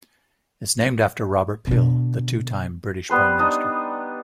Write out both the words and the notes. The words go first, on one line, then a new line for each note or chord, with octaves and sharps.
It is named after Robert Peel, the two-time British Prime Minister.
B2 D3
G3 B3 B4 C6
D4 D#4 D#5